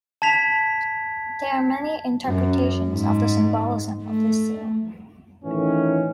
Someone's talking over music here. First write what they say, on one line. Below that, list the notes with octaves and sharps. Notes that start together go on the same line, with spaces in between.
There are many interpretations of the symbolism of this seal.
A5 G#6 B6 F7
F#2
G#2
A3
A2 D#3 E3 C#4